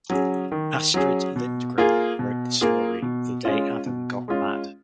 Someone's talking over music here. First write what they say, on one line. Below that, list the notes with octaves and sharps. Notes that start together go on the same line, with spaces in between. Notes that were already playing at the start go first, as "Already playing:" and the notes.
Astrid Lindgren wrote the story "The Day Adam Got Mad".
F#3 C#4 G#4
D#3
F#3 C#4 G#4
B2
A#3 F4 G#4
B2
A#3 F4 G#4
B2
G#3 C#4 F4
B2
G#3 C#4 F4